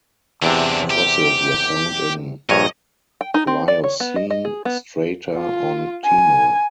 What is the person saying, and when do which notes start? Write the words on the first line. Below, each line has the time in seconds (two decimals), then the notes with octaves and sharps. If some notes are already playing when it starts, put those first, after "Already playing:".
Fossils were found in Pliocene strata on Timor.
0.43 E2 C3 E3 D4
0.90 G4
2.49 A#1 G2 C#5 D#5
3.21 G5
3.34 D#4
3.47 C4
3.68 D5
3.84 C#5
4.00 B3
4.16 D#5
4.30 D#5
4.45 G#4
4.65 B3
5.36 F4
6.05 G#5